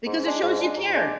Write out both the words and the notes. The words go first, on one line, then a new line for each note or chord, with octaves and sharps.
Because it shows you cared.
G#2
G#3 D4
G#2
G#3 D4
G#2
G#3 D4